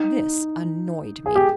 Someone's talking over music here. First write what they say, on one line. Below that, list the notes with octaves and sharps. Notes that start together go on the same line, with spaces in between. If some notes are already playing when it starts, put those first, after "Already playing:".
This annoyed me.
Already playing: D#4
G#4
G4